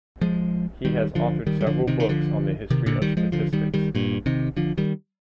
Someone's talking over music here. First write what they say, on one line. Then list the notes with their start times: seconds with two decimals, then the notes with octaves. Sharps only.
He has authored several books on the history of statistics.
0.21 F3 G#3
0.85 D#3 G3
1.15 D3 F3
1.47 D#3 G3
1.61 G3
1.67 D3 F3
1.87 C3 D#3
2.00 D#3
2.09 D3 F3
2.70 C3 D#3
2.86 A#2 D3
3.02 D#3 G3
3.17 F3 G#3
3.32 D3 F3
3.53 D#3 G3
3.74 D#3 G3
3.95 G2 A#2
4.26 C3 D#3
4.57 D3 F3
4.78 D#3 G3